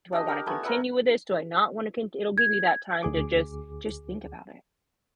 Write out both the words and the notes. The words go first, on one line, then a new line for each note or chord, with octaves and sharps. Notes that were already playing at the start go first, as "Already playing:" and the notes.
do I want to continue with this? Do I not want to cont" It'll give you that time to just just think about it.
D4 G4 D#5
G4 A#4 D5
A3 B3 G#5
A#4 B4 E5 F#5
G#6
D2 G#4 D6